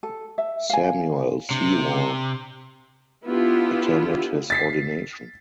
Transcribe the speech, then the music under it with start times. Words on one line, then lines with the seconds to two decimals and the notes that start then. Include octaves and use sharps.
Samuel Sewall attended his ordination.
0.03 A4
0.38 E5
0.70 F5 G#5
1.51 C3 D4
3.25 B3 D4 E4 F4 G4
4.50 A6 B6 C7